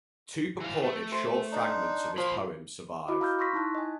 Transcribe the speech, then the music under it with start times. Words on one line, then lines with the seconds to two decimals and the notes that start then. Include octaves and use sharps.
Two purported short fragments of his poems survive.
0.60 E3 F5
0.83 A3
1.12 C5
1.52 D4 D#4
2.18 A#2 F3 B5 C6
3.08 E4 F#4 D#5 B5 D6
3.21 F5 A#5 B5 E6 F6 G6
3.39 C6 C#6 E6 A#6 B6
3.53 D#4 E4 A5 F#6
3.75 D#5 G#5